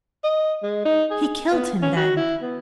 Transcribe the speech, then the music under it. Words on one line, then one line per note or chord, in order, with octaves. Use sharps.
'He killed him, then.'
D#5
G#3
D#4
G#4
B3
C#4
F#4
E4
B3